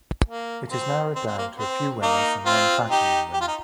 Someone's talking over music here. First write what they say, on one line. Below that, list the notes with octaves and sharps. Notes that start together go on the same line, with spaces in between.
It is narrowed down to a few winners and one Platinum winner.
A#3
C4
C4
C4
A#3
C4
A#3 D#4
C4 F4
D#4 G4
G4
F4
D#4